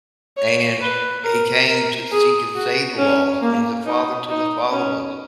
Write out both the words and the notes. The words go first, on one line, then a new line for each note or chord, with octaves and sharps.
And he came to seek and save the lost, and he's a father to the fatherless.
C#5
B4
A#4
A#4
G#4
F#4
C#4
A#3
D#4
D#4
C#4